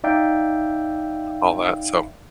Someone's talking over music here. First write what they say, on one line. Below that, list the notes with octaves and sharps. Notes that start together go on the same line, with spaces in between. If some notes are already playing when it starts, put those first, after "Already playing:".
all that, so
D#4 D5 E5 F5 G5